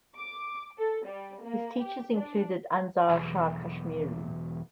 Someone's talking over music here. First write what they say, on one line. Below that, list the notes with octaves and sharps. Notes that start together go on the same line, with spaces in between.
His teachers included Anzar Shah Kashmiri.
D6
A4
G3
A#3
G4
D4
B1 E2